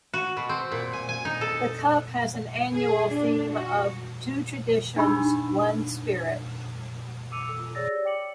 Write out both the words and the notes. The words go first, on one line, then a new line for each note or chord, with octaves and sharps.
The cup has an annual theme of 'Two Traditions, One Spirit.
F#4
B2
C4
A#2
G#5
G#5
D#4
A4
G#4
D4
F#4
D4 D#4 G4 B5 E6
D6 E6 C#7 D#7 F7
A4 E6
F4
G#4 C#5 D5 E6 A6 A#6
G4 D5
C#5 G5 D6 C#7 F#7